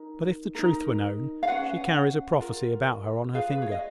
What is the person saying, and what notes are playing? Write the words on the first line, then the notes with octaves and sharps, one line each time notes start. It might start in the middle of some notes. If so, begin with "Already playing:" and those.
But if the truth were known, she carries a prophecy about her on her finger.
Already playing: D#4 A#4
D#4 A#4
F5
C#4 F4 B4 F#5
F4 A#4
F4 G#4 B4 F5
B4
C#5
D#5